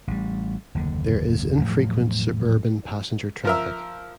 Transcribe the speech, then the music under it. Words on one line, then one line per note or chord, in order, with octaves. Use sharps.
There is infrequent suburban passenger traffic.
A1 G3
F#1 D#2 D3
E1 A2 F3 F#3
F3 A#4 E5